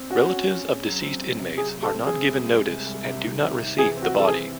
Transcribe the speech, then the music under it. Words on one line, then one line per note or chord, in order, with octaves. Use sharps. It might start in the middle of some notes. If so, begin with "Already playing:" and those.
Relatives of deceased inmates are not given notice and do not receive the body.
Already playing: C4
C#4 F#4
C#4
C#4
G#4
F#3
C4
C4
C3
F#3 G#4
A3
A4
C4
G#4
C4
C2
G#3
C3
C2
C3
D#3
C3
C3
E3 G#4
C4
F#4
E3
A4
G#4
C4